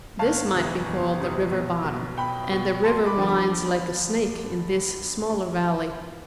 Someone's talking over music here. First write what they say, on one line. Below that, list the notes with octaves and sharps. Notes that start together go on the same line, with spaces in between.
This might be called the river bottom and the river winds like a snake in this smaller valley.
G1 F5 A5
F2 C3 E3
G1
F2 C3 E3
B1
B2
B1 G5 B5
B2
E2 A5 C6
B5 D6
D3 F3
B5 D6